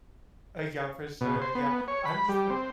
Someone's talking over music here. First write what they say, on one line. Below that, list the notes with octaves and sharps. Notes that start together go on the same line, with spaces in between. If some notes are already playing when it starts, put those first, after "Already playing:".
Uh, yeah, for sure. Yeah, I'm just li
B2
C5
B3
C#5
B5
G3
C4